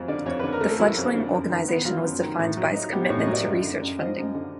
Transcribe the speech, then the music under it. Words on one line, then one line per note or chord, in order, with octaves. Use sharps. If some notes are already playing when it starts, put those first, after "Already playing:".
The fledgling organization was defined by its commitment to research funding.
Already playing: F2 F#3
D3 D5
F2 C#5
D3 B4
A#4
A3
A4
F#3 E4
F2
D3
F#2
D#3
B3
F#3 F4
F#2
D#3
A2
F#3
D#4
B3 G4
A2 C#5
D#5
F#3
D5
F#2
D3
F#2
F3 D#5
F#2
D3